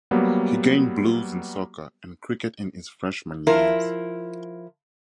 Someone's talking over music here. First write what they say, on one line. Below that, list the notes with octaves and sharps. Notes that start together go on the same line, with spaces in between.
He gained blues in soccer and cricket in his freshman year.
F#3 G3 A#3 B3
F3 E4 A#4